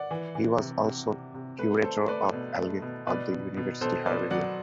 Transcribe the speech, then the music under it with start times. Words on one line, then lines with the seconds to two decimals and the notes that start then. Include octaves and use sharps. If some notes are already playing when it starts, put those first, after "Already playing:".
He was also Curator of Algae of the University Herbarium.
Already playing: D5 F#5
0.11 E3
0.35 E3
0.60 C3
0.85 C3
1.09 C3
1.34 C3
1.58 A3 B4
1.83 A3 A4 C5
2.08 A3 B4 D5
2.33 B2
2.58 A3
2.82 B2
3.07 B2 B4 D5
3.32 B2
3.57 B2
3.81 B2 A4 C5
4.06 B2 B4 D5
4.31 F#3 D5 F#5